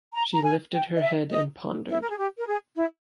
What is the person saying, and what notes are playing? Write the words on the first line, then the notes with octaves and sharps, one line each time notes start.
She lifted her head and pondered.
A#5
A#5
G#5
G5
D#5
E5
D#5
E4
A#4
G#4
G4
A#4
G#4
E4